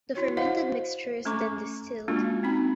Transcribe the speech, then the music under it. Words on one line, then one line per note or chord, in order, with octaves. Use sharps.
The fermented mixture is then distilled.
E4 F#4 C#5
E4 C5 D#5 F5 F#5
A3 C#4 A4 A#5 C#6 D6
G#3 A#3 C#4 D4 F4 F#4
C4 D#4 B5